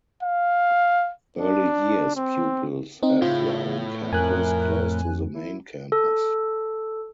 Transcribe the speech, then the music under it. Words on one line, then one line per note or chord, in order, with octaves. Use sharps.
Early years pupils have their own campus, close to the main campus.
F5
D4
C4
C4 D#4
A2 C#3 F4
F2 A#4 G#5 F#6
E4
A4